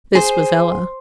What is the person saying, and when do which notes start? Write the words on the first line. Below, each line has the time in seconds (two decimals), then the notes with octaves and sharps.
This was Ella.
0.15 G#4 C5